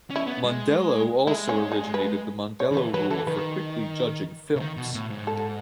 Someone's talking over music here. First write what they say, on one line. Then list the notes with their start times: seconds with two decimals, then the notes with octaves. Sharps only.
Mondello also originated the Mondello Rule for Quickly Judging Films.
0.10 C#4
0.16 E4
0.27 B3
0.44 G#3
1.27 G#3 E4
1.49 C#4
1.72 D#4
1.94 B4
2.60 C#5
2.71 D#3
2.77 E3 B4
2.94 F#3 B4
3.10 E3 A4
3.27 D#3 B4
4.56 C#3
4.60 D#3
4.77 B2
4.94 A2
5.10 G#2
5.27 A4